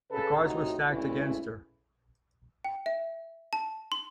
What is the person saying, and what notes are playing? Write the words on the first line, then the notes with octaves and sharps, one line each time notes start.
The cards were stacked against her.
C#3 A4 B4
A2 C3 D#4 F#4
D2 G2 E3 G#3 C#4 E4
G5
E5
A5
C6